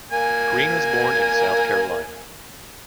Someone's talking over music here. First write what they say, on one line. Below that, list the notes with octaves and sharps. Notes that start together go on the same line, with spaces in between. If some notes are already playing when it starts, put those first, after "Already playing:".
Green was born in South Carolina.
A#3 G#5